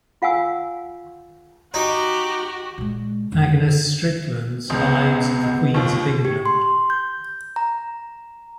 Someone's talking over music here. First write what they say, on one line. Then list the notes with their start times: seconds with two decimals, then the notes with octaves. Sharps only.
"Agnes Strickland's Lives of the Queens of England".
0.22 F4 F5 F#5 G#5 E6
1.74 D#4 F#4 G4
2.78 A#2 G#3
3.32 F2 A2
4.70 C#2 C3 G#3 B3
5.74 D#2 D#3 F3
6.25 G4
6.46 C6
6.90 G6
7.56 A#5